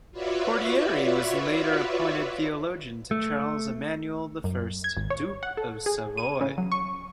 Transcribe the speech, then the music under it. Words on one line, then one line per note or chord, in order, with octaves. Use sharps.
Cordieri was later appointed theologian to Charles Emmanuel I, Duke of Savoy.
F4 F#4 B4 C#5 D5 E5
A3
F#2
G#6
G#1
C#5
F#5
A4
G#4
D#7
C#3
F#3
C#6